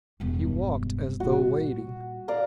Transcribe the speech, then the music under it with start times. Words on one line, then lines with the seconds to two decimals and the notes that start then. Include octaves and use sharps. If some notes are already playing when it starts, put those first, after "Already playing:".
He walked as though wading.
0.20 E1 G2
1.20 A#2 G3 F#4
2.28 D5 F5 A#5